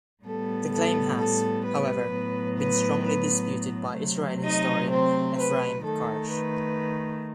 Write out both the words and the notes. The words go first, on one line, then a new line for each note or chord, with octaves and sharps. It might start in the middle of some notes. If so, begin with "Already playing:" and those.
The claim has, however, been strongly disputed by Israeli historian Efraim Karsh.
A2 G3 B3 A4
A4
A4
B4
A2 F#3 B3
B4
B4
C3 F#3 A3
D#4 D#5
C4 C5
B4
D#3 A3 A4
B4